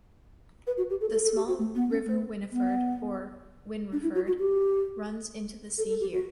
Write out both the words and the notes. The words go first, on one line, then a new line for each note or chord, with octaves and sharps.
The small River Winniford or Wynreford runs into the sea here.
B4
F#4
G4
A4
A4
A4
G4
F#4
A3
B3
C#4
A3
B3
D4
E4
F#4
F#4
G4
A4
A4
G4
F#4